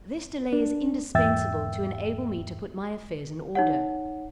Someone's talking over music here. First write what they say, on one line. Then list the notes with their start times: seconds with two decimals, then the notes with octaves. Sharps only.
This delay is indispensable to enable me to put my affairs in order.
0.53 D4
1.15 E2 G#2 E5 G5 E6 A6
3.55 D#4 C#5 F#5